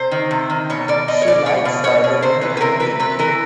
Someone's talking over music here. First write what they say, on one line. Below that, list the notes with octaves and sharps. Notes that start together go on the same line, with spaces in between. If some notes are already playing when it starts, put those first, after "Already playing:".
She likes gardening and painting.
Already playing: C3 C5
D#3
C3
D#3
B2 C#5
B2 D5
B2 D#5
C#5
B2 D5
B2 C#5
B2
B2 C#5
B2
C3 C5
E3 B4
B4
C3 A#4
E3 B4
C3 B4
E3 A#4